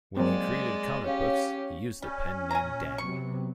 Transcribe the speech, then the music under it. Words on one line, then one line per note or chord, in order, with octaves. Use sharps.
When he created comic books, he used the pen name Dang.
F#3 G#3 A#3 C4 D5
C#4 G4 C#5 F5
G3 C#4
A#2 G#5 A#5
C3 F#3 B3 C#6